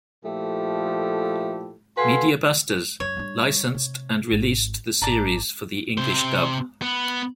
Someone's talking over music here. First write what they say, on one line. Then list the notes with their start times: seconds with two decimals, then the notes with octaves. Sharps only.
Media Busters licensed and released the series for the English dub.
0.25 A#2 F3 A3 E4 G4 A4
1.98 F#4 A4 B4 F5 G#5 C6
3.00 F#2 C#5
3.17 G3 D4
3.74 C3
4.31 G#1
5.02 G#1 D5 A5 A#5
5.98 C3 C5
6.82 B3